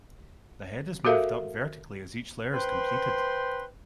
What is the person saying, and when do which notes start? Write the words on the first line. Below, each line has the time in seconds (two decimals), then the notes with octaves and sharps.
The head is moved up vertically as each layer is completed.
1.05 F#4 G4 A4 A#4 E5 F5
2.52 B4 C5 G5 C6